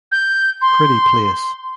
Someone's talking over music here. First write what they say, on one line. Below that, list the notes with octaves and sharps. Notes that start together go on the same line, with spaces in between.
Pretty place.
G6
C6